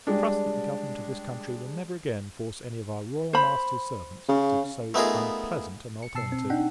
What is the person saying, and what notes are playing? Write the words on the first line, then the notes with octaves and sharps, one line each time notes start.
I trust, that the government of this country will never again force any of our Royal Master's servants to so unpleasant an alternative.
G3 G#3 D4
C5 B5
C#3
A3 B3 D#4 F4 G#4 A#4
C#7
B2 A5 E6 C7
C4
D4 D#4 F#5 G5